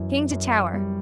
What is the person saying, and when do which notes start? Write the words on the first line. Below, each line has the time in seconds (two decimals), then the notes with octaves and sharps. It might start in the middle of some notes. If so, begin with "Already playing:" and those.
King to tower.
Already playing: F#2 E3
0.31 F#2
0.73 G3